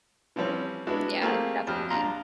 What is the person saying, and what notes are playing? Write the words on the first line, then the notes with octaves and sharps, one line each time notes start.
Yeah, definitely.
E3 F3 G3 C4 C#4
G#3 B3 D4 E4 F#4
A3 A#3 C4 F4 G4 G#4
F2 F#3 G4 F6
A#1 D4 F4 A#5 C6